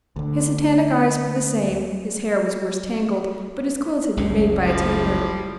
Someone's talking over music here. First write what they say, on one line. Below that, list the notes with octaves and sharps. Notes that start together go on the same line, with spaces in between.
His satanic eyes were the same, his hair was worse tangled, but his clothes had been made by a tailor.
D2 D3
F#1 C#2 A2
F3 G3 E4